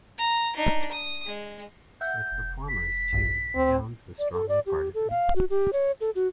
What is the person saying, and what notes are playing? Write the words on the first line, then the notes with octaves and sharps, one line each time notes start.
With performers, too, Downes was strongly partisan.
A#5
D4 D#4
D#6
G#3
E5 F#5 G6
F1
B6
A#1 G2
D2 C4
D5
A4
D5
G4
A4
F5
F#4
G4
C#5
A4
F#4